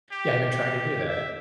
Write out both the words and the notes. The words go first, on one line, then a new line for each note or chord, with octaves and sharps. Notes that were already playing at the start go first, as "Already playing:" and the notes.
Yeah, I've been trying to do that.
G4
G4
E5